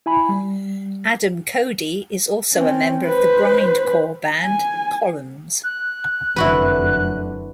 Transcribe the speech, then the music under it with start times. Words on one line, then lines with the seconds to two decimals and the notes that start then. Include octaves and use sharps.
Adam Cody is also a member of the grindcore band Columns.
0.06 E4 G#5 B5
0.29 G3
2.53 C4 C#4
3.05 B4 C5
4.41 G#5
5.63 F#6
6.36 F1 F#2 D3 E4 F#4 B4